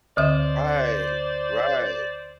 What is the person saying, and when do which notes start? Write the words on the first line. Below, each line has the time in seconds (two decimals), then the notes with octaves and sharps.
Right, right.
0.17 D2 D3 C5 D5 E5